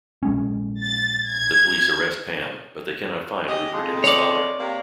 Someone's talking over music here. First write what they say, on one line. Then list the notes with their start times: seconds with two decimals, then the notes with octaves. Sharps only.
The police arrest Pam, but they cannot find Rupert and his father.
0.23 A#1 G#3 C#4
0.83 A6
1.28 G#6
3.48 G4 G#4 D#5
3.73 F2 G#3
4.04 C#5 D5
4.59 C3 A#3